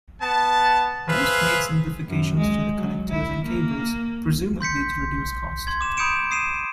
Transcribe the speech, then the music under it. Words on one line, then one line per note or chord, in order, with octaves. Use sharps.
Most made simplifications to the connectors and cables, presumably to reduce costs.
B3 A5
G#4 B4 C5 E5 F5
F#2
G#3
F#3
E4
A#3
C6 G6 B6 C#7
C6 G#6
D6 E7
B5 D#6 G6 C#7 D7 E7
D#6 C7 D#7 E7